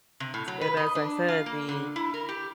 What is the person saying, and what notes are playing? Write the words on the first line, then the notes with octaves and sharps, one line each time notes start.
and, as I said, the
C3
A2
F#3
B4
D#5
D4
F4
A#3
D3
E4
A#4
G4